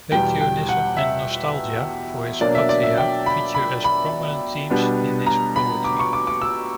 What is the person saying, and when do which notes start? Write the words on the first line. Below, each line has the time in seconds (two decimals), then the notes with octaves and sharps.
Patriotism and nostalgia for his 'patria' feature as prominent themes in his poetry.
0.12 E2 B2 G3 G5
0.41 G5
0.69 F#5
0.97 E5
2.41 B2 F#3 A#3 D4 D5
2.55 E5
2.69 D5
2.83 E5
2.98 G5
3.26 B5
3.55 B5
3.84 B5
4.70 B2 G3 B3 D4
5.26 A#5
5.56 B5
5.84 D6
5.99 C#6
6.13 D6
6.27 D6
6.42 E6